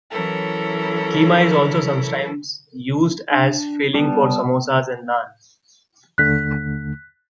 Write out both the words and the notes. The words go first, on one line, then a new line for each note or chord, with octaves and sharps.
Keema is also sometimes used as a filling for samosas or naan.
E3 F#3 C#4 E4 A4 A#4
D4
G3 B3 A5
D#2 D3 A3 F#6 B6